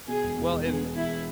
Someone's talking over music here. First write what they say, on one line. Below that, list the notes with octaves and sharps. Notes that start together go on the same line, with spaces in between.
Well, and
B2 G#4
E1
E2
E1
B3 G#4
B3
E2 E4